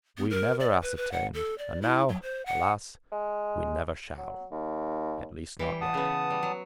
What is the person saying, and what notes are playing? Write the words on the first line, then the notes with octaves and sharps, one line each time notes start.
We never ascertained, and now, alas! we never shall, at least not yet.
B3
A#4
D5
B4
B4
F#5
A4
D5
E4
F#3
C5
F#5
G#3
F#3
D#2
E3 G3 G5
F#5 A5 D#6
C#3 B3
G3
F#3